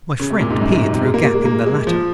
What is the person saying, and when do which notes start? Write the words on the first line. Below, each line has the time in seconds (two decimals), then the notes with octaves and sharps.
My friend peered through a gap in the latter.
0.20 C#3
0.30 C3
0.40 A#2
0.50 G#2
0.61 F#2
0.72 G#2
0.83 C3
0.93 C3
1.03 G#3
1.14 A#3
1.24 A#3
1.35 G#3
1.45 A#3
1.66 G#3
1.87 F3